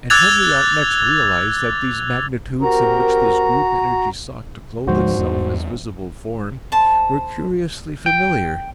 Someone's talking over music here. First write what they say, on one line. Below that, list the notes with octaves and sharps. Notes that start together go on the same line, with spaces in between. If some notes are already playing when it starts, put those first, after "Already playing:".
And Henriot next realised that these Magnitudes in which this group-energy sought to clothe itself as visible form, were curiously familiar.
D6 E6 F#6 G#6 A6 F7
C4 F#4 G4 A#4 A#5
D2 G#2 F3 G#3 F#4 C5
E2 G2
C5 A5
G5